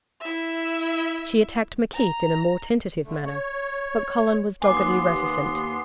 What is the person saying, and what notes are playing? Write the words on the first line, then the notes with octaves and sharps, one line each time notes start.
She attacked McKeith in a more tentative manner, but Colin was doggedly reticent.
E4 E5
A#5
D3 A3
C#5
D#2 B3 G#5 C6 D6